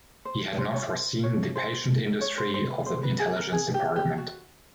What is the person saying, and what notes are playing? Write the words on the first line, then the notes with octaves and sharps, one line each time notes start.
He had not foreseen the patient industry of the Intelligence Department.
C5
C5
C#5
C5
C#5
C5
C#5
C5
C5
B4
C5
B4
G#4
A#4
G#4
G4
G4
F#4